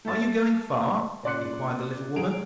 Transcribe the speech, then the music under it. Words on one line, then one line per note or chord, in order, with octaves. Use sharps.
Are you going far?' inquired the little woman.
A3 E5 A6 E7
A#2 C#3 D5 C6 F#6 C#7
F#3 G#4 D7 F7